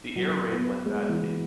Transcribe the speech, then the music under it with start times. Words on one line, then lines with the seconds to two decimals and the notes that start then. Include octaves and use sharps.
The air raid went badly.
0.16 F#3
0.51 B3
0.86 G#3
1.09 E3